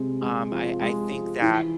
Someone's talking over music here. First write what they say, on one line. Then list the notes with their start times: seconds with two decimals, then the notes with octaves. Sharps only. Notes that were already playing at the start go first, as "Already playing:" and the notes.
um, I I think that
Already playing: C3 G#3
0.22 G#3
0.52 F3
0.81 G#3
1.11 F3
1.42 E3